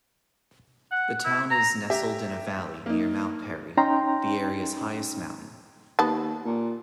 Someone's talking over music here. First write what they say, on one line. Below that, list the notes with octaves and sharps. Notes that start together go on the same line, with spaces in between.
The town is nestled in a valley near Mount Perry, the area's highest mountain.
F#5
E4
A#5
G4 E5
A#3 D#4
C#4 D#4 G5 A#5 C6
D#2 B3 A5
A#2